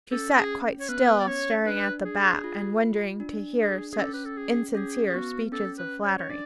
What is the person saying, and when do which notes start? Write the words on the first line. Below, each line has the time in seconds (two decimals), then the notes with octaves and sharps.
She sat quite still staring at the Bat and wondering to hear such insincere speeches of flattery.
0.11 C#4 A4
0.38 G#4
0.80 C#5
0.89 B3 B4
1.20 D5
1.27 C#4 C#5
1.65 D4 B4
2.05 G#4
2.44 F4
3.20 D4
3.59 G#4
3.92 G#4
3.98 C#4 A4
4.13 B4
4.25 A4
4.37 G#4
4.75 C#4 G#4
5.10 G#4
5.14 B3 F#4
5.52 C#4 A4
5.78 B4
6.04 C#5
6.18 C#5
6.30 D4 D5